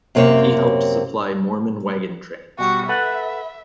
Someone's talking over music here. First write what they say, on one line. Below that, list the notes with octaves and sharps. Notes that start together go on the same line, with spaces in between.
He helped supply Mormon wagon trains.
F#2 C3 A#3 C4 C#5
B2 G3 F#4
A4 B4 E5 F#5